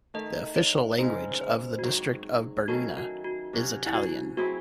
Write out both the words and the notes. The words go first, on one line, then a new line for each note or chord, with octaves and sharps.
The official language of the district of Bernina is Italian.
D#3 A3 D#4 D#5
C#5
C#3 G#3 C4 D#4 C5
C5
F#4
G#2 F#3 C4 G#4
D#3 F#3 A3 C#4 F#4
F#4
F#4
C3 F#3 C#4
E4
F#4
F#3 C4 E4 F#4 G#4